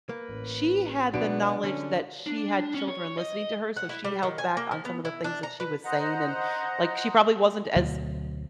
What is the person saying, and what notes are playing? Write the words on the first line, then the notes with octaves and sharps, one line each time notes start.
she had the knowledge that she had children listening to her, so she held back on some of the things that she was saying, and, like, she probably wasn't as
A#3 B4
A1
B2 F#3 B3 D4 D7
D3 C#4
D4
C#4
C#5
D#5
F#5
E4
G3
D#3
G#5
A#3
F3
B3
E4
D4
A#5
B4
C5 D#5 F#5 A#5
D2 B2 F#3